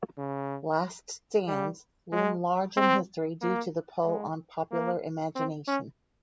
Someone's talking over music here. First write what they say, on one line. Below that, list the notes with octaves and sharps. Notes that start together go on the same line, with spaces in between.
Last stands loom large in history due to the pull on popular imagination.
C#3
G3
G#3
C4
A#3
G#3
A#3
C4
C#4